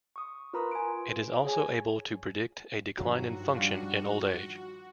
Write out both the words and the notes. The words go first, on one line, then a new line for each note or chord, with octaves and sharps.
It is also able to predict a decline in function in old age.
C#6 D#6
F4 A#4 B4 A#5 B5 D#6
G#5 D7
G#4 C#5 G#5
G2 D#3 F3 F#3 F#4
G3 D4 F4